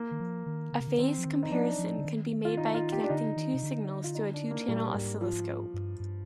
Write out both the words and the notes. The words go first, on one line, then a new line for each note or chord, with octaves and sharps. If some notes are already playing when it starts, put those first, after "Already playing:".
A phase comparison can be made by connecting two signals to a two-channel oscilloscope.
Already playing: A#3
D#3
F3
D#3
D3
C3
D3
D#3 C4
F3
D#3
D#4
F3 D4
F3
D3
D#3
F4
D#4
F4
G4
D4
D3 D#4
D#3
C3
D3
F4
D#4
D4
A#3
A#2 G3
G#2
F3
G2
G2